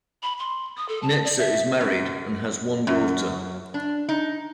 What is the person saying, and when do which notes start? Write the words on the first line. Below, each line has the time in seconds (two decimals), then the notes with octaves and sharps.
Netzer is married and has one daughter.
0.23 B5
0.39 C6
0.77 D#6
0.89 A4
1.02 A5
1.25 D5
1.38 E5
1.81 F#2
2.87 F#2
3.74 D4
4.09 D#4